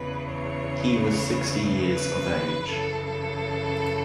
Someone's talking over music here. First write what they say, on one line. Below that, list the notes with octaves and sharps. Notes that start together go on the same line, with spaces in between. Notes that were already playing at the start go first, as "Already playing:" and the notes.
He was sixty years of age.
Already playing: E2 C#3 E3 B4
C#5
B4
F#2 C#3 E3 A4
A4